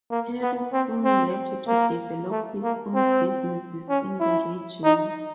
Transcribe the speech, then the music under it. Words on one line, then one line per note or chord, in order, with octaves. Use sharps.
Harris soon left to develop his own businesses in the region.
A#3
B3
C4
C4
A#3
A3
A#3
C4
C#4
E4
D#4